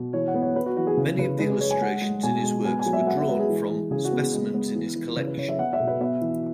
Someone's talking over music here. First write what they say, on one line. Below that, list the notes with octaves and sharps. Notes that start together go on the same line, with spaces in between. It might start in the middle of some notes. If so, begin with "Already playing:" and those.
Many of the illustrations in his works were drawn from specimens in his collection.
Already playing: B2
E3 C#5
F#5
B3
C#5
B3 B4
F#4
E3 F#4
G#4
C#3
C#3 B4
G#3 B4
G#4
G#3 C#5
G#5
G#3 F#5
G#3
B2 G#5
G#3
B3 G#5
G#5
F#3
E5
B3 F#5
E5
G#3 B4
G#4
E3
E3
C#3 G#4
F#4
B3
G#4
G#3
B3
E3
E3
C#3 B4
B4
C#3 C#5
E5
B3 F#5
E5
B2
B4
B3 E5
E3